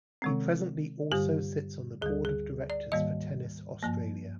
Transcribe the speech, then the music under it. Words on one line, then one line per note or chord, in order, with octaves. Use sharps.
He presently also sits on the Board of Directors for Tennis Australia.
C3 D#3 G#3 C4
G2 D3 G3 G4
D2 D3 G3 G#4
G#4
D5
G#2 D#3 G3 A#3 D#5
G2 F3 A#3